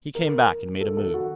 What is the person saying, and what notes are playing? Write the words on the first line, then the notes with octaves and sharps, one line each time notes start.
He came back and made a move.
A#4
A4
A4
F#4